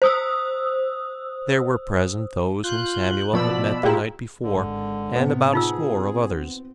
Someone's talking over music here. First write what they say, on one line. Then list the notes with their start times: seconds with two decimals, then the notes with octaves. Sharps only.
There were present those whom Samuel had met the night before, and about a score of others.
0.02 C5 D#6 E6
2.64 F4 F#6 G6
3.33 B2 F3 D5 B5 E6
3.83 A#2 E4 F4 G4 G#4 B4 A#5
4.43 G#1 D3 G#3
5.15 A2 C3 B3
5.53 C4 D#4 F4 G#4 E6